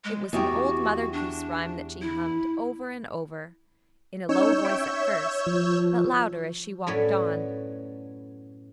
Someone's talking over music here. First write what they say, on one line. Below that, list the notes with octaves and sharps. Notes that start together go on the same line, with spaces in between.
It was an old Mother Goose rhyme that she hummed over and over, in a low voice at first, but louder as she walked on.
G#3
E2 F#4 G4
D4
E4
C#4 D#4 C#5 E6 G6
E5 G5
E5
F3
F#2 A2 B3 C#5 D5